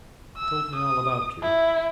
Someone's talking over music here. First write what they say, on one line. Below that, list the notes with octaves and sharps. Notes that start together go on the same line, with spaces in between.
He told me all about you....
E6
D#6
E4